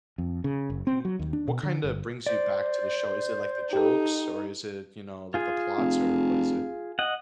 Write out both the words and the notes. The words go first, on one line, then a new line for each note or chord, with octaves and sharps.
m w what kinda brings you back to the show? Is it like the jokes or is it, you know, like the plots or what is it?
F2
C#3
F#1
C4
F#3
D#2
D4
B2
D3
G1
C5 D5
D#4 G4 A4
F4 G#4
F1
D#5 F#5